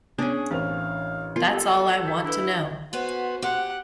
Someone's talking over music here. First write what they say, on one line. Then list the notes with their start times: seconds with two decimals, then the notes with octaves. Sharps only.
That's all I want to know.
0.18 B3 C#4 D4 G#4 C#5
0.51 A1 C4 A#4 C5 F5 F7
1.36 B3 F4 A#4 C7
1.51 G4 A4
2.05 G6 B6
2.25 D4 E4 A4 B4
2.93 B3 F#4 B4 C5 G#5
3.42 G4 F#5